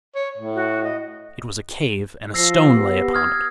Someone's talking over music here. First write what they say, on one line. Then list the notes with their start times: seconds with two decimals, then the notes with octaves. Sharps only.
It was a cave, and a stone lay upon it.
0.15 C#5
0.38 A2
0.55 F#4
0.83 D#5
2.34 F3 E6 A#6 C7
2.73 B3 G4
3.13 D#6 F6 G#6